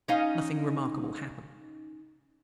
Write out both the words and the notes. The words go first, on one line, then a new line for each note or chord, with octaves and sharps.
Nothing remarkable hapened.
C#4 D#4 F5